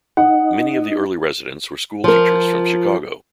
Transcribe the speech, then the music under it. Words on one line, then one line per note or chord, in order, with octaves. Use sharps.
Many of the early residents were schoolteachers from Chicago.
D#4 F#5
F3 A#4